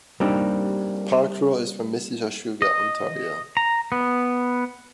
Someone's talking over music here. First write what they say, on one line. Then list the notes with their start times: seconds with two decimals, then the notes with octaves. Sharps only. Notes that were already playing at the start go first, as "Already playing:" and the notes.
Pakrul is from Mississauga, Ontario.
0.20 G3 A#3 C4 D4 D#4 G4
2.62 D#5
3.57 A#5
3.92 B3